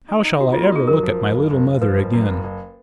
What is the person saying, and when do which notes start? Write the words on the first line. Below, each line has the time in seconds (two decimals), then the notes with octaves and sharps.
How shall I ever look at my little mother again?
0.09 D#4
0.25 D#4
0.40 D#3 F#4
0.53 A#3 F4
0.63 F#4
0.72 D#4 G#4
0.87 F#2 A#4
1.03 F3
1.19 F#1
1.35 F#1
1.50 F#1
1.66 F#1
1.82 F3 B4
1.97 F#1
2.13 F#2
2.29 F#1
2.44 F#1